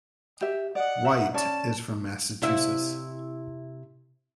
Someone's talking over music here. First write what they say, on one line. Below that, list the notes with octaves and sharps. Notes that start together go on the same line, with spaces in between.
White is from Massachusetts.
G4 E5
D5 D#5 F#5
E5
C#4 D5 A5
C3 E4 E5